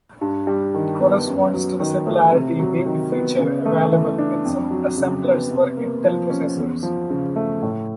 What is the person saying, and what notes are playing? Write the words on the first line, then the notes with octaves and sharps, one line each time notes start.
It corresponds to the similarly named feature available in some assemblers for Intel processors.
G2
G3
D#3
B3
F#2
F#3
D#3
A3
C3
F#3
D#3
B3
C#3
A3
E3
D4
F2
F#3
C#3
B3
C3
A#3
F3
C#4
E2
F3
C#3
A3
A2